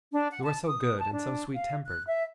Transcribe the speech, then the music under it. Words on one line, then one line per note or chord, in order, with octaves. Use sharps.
You are so good, and so sweet-tempered.
D4
F#5
A5
D#6
A5
D4
F5
F#6
E5